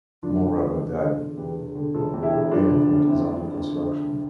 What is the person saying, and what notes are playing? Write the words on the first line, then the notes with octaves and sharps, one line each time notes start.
Moradabad Airport is under construction.
D3 D4 F4
E1
F4 A4
E2
E1
D3
E1
E2 G4 B4
E1
D3
E1 F4 A4
E2
E4 G4
E1
F3 D4 F4
D2
D3
C4 E4